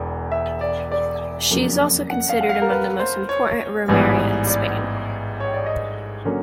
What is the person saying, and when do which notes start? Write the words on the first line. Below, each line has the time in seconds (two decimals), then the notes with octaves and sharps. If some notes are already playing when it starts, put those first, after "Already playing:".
She is also considered among the most important romeria in Spain.
Already playing: E1 E2
0.32 E5
0.61 D5
0.91 D5
1.51 F2 C#3 F#3 A#3
2.10 F#5
2.29 F5
2.41 F#5
2.49 F5
2.62 A#4
2.70 B4
3.00 C5
3.29 C#5
3.88 A1 G#2 E3 G3 B3
4.47 D5
5.40 C#5
5.54 D5
5.66 D#5
6.25 D3 F#3 A#3 C#4